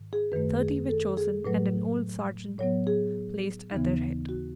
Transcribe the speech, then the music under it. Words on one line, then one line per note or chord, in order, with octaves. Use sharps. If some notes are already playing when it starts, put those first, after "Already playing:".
Thirty were chosen, and an old sergeant placed at their head.
Already playing: G#2 D#3
G#4
F#2 D#3 A3 B4
G#4
A4
G#4
A2 F#3 A3 B4
A2 F#3 B3 C#5
G#4
D#2 C#3 E3 B3
F#4